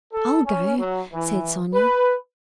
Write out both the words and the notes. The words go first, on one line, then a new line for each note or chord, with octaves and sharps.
"I'll go," said Sonya.
A4
C#4
F#3
E3
B4